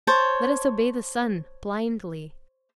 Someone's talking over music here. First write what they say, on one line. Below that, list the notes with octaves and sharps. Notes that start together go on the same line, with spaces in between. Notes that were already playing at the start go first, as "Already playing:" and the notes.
Let us obey the sun blindly.
C5 C#5 A5